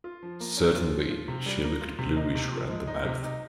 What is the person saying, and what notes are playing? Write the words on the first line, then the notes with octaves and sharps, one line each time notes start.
Certainly she looked bluish round the mouth.
F4
F3
A#3
C#4
F4
F3
F4
C3
G3
A#3
F4
C3
D#4
C3
F3
G#3
D#4
C3
D#4